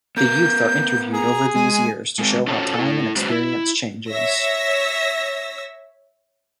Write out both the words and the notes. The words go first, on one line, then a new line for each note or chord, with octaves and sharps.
The youth are interviewed over these years to show how time and experience changes.
B3 A#4 G6
G#4 A#5
G#3 G#5
G#3 C4
C#4 F4 F#4 A4 C5 C#5
E4 A4
F#3 G#3 C#4 F#4 B4 C5
E4
C#5 E5 E6 A#6